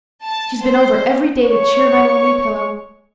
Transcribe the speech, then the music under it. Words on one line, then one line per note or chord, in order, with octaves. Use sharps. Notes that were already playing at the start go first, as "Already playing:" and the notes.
She's been over every day to cheer my lonely pillow.
A5
C5
C#5 C#6